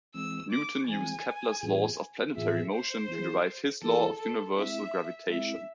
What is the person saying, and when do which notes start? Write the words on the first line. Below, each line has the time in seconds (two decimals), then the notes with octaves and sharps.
Newton used Kepler's laws of planetary motion to derive his law of universal gravitation.
0.14 E3 G#3 C4 E6
0.51 D6
0.88 E3 G#3 C4 G#5
1.61 A2 E3 B3 F4 G#4
2.35 A2 E3 B3 F4 G#4 E5
2.72 C5
3.09 E3 B3 E4 G#4
3.82 E3 B3 E4 G#4 A4
4.18 A4
4.55 G#3 C4 E4 E5
5.29 G#3 C4 E4 E5